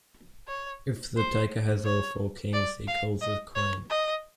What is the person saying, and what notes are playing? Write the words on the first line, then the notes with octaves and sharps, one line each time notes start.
If the taker has all four kings, he calls a queen.
C#5
C5
C#5
D5
F5
D#5
C#5
D#5